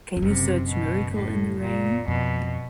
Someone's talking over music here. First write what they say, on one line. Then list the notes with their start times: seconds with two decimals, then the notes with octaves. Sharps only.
Can you search Miracle in the Rain?
0.17 F2
0.22 F#1 F#2 C3
0.69 B2
1.15 A2
1.61 A#2
2.08 F2 B2